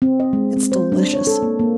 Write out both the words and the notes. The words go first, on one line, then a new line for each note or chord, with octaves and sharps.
It's delicious.
C4
D#5
G#3
C4
C5
D4
C#5
A4
A#3
A#3